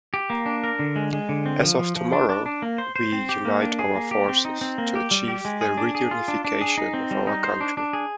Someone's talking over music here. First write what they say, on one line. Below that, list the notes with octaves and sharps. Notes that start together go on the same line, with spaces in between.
As of tomorrow, we unite our forces...to achieve the reunification of our country.
G4
A#3
D4
A#4
D3
G#3
G#3
D3
C4
F3
F3
F3
D4
D4
D4
A#3
C5
C5
C4
G4
A#3
D4
G#4
A#3
G4
C4
D#4
C4
A#3
G4
G3
G4
G#3
G#4
D4
G#4
F4
D4
D4
G#4
D#4
C4
G3
D#4
C5
D4
D4
G#4